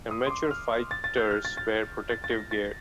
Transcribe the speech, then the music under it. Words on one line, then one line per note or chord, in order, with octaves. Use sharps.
Amateur fighters wear protective gear.
D#6
C6
D6
F6
A6
A6
G6
F6
A6
A6
A6
A6
A#6
A6